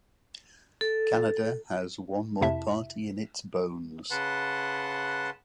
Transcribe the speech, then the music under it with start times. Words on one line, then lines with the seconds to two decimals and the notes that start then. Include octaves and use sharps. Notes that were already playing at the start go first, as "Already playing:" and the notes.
Kanada has one more party in its bones.
0.81 A4
2.41 F2 C3 E4 E5 A5
4.11 C#3 B4 F#5 A5 C6